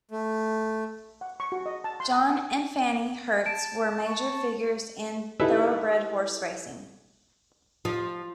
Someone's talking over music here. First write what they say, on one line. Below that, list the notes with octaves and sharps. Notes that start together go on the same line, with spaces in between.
John and Fannie Hertz were major figures in Thoroughbred horse racing.
A3
F#5
C#6
F#4
D#5
A5
C6
A#5
F#5
A5 D7
C#6
D#4 E4 G4 A4 B4 E5
F3